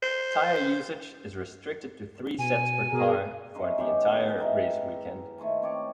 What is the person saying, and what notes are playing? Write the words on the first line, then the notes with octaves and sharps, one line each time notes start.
Tyre usage is restricted to three sets per car for the entire race weekend.
C5
B2 G#5
B2 G#4 A#4
C#4 D#4 E5 C6
D#3 G#3 B3 G4
G#4
D#3 E4 A#4
D#3 A3 C5 G#5
C4 C#5 D5